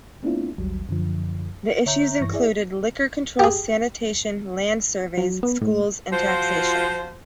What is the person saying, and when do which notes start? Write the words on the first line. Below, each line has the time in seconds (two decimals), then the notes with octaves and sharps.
The issues included liquor control, sanitation, land surveys, schools, and taxation.
0.23 A3 B3 C4 D4 E4 F4
0.58 A1 D#2 F#3 G3
0.89 F#2 D3 F3
1.86 D3 C#5 E5 A#5 G6
2.21 G2 E3 C#6 A#6
2.33 E4 G#4 D5 E5
3.39 G4 G#4
5.17 F#3
5.43 B3
5.61 A2
6.12 F3 F4 F#4 C5